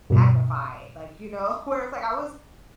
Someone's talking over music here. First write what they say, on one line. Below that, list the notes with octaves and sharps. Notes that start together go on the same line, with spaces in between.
magnified, like, you know, where it's like I was
G2 B2